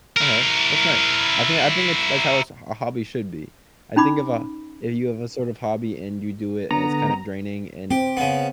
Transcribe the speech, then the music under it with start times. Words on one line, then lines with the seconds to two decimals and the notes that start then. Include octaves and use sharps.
Okay, that's nice. I think I think it's that's how a s a hobby should be. I think of a if you have a sort of hobby, and you do it, and it's kind of draining, and
0.17 E4 A#4
3.96 C#4 D#4 B5 D6
6.71 D3 B3 A#5
7.91 C4 G4
8.17 C#3 B3